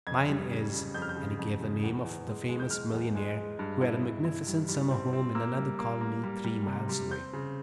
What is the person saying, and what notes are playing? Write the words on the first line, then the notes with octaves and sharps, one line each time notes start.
"Mine is ----," and he gave the name of the famous millionaire who had a magnificent summer home in another colony, three miles away.
F2 G#6
G3
C#3
C#3
F2 G6
F6
G6
C#3
F2
C#3
E2
E2
G#3
G#3
G6
G#3 F6
E2
G#3
G#3
G2
E4
G2
E4
G3
G3
C4
C4
A#3 E6
G3
A#3
A#3
G3
G3
C3
G3
C4 G6
C#3